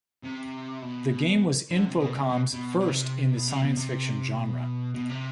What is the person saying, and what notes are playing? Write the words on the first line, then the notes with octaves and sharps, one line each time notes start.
The game was Infocom's first in the science fiction genre.
C3
B2
D3
C3
B2
C3
B2
B2
B2
C3
B2
C3
B2
C3
B2
B2
C3